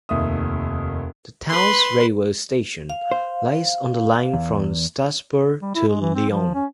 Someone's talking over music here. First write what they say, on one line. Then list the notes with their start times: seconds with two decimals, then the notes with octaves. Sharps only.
The town's railway station lies on the line from Strasbourg to Lyon.
0.09 F1 D#2 E5 D#6
1.49 B4 C6
2.90 F5
3.11 C5
4.34 E2
5.62 G3
5.75 E4
5.88 G#3
6.01 E3
6.15 C4
6.30 F3
6.54 C#4